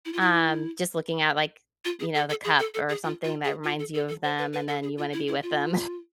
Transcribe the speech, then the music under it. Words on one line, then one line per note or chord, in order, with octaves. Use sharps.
um, just looking at, like, you know, the cup or something that reminds you of them and then you wanna be with them,
E4
F4
E4
F4
G#4
A4
A4
G#4
A4
A4
G#4
F4
F4
G#4
F4
A4
A4
A4
C5
B4
B4
A4
G#4
F4
E4
E4
F4